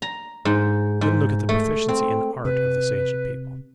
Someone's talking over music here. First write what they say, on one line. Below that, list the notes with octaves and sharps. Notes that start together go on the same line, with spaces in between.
Then look at the proficiency in art of this ancient people.
A#5
G#2
G#2
A3
C4
C3 B4